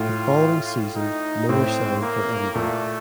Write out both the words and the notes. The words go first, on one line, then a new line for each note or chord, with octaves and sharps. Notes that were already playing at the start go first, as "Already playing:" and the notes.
The following season Miller signed for Edinburgh.
Already playing: A2 F4
D#4
A2 C4
A#3
A#2 A3